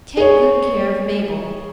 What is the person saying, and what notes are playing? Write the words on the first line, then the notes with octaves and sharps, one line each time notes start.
Take good care of Mabel.
G#4 C#5